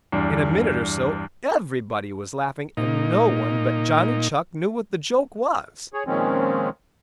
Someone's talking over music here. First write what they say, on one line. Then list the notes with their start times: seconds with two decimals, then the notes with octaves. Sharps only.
In a minute or so everybody was laughing, and no one but Johnny Chuck knew what the joke was.
0.12 E2 G2 D4
2.77 A#2 D#4
5.94 G#4 C#5
6.07 A#2 D#3 F3 G#3 C4 C#4